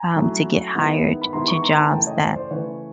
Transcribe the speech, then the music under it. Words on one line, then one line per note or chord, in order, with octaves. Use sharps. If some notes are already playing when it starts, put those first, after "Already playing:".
um, to get hired to jobs that
Already playing: G#5 A#5
F#3 A3 C#4 E4
D#3 G#3 B3 E4
B5
D#3 G#3 B3 E4 A#5 C6
B5 C#6
A#5 C6
G#5 A#5
C#3 E3 A3 G5 A5
C#5 D#5
C5 D5
C5 D5
C#3 E3 A3 B4 C#5